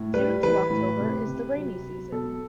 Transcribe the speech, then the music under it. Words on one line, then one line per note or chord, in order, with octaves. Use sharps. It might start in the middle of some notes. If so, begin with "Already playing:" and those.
June to October is the rainy season.
Already playing: A2
G3 B4
E3 B4
A2
C3
C3
F#3
F#3
B2 A4